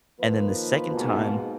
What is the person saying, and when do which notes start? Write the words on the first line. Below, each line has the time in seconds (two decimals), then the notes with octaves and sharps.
and then the second time
0.20 D#3 F3 A#3 F4 B4
0.94 G#2 B2 A#3